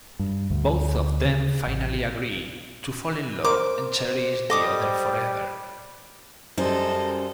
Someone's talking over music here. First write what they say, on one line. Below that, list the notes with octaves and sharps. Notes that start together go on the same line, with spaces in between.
Both of them finally agree to fall in love and cherish the other forever.
G2
D2
C#3
A1
A#4 C5 D6
G3 A4 D#5 D6 D#6
F#2 G3 A4 C5 D#5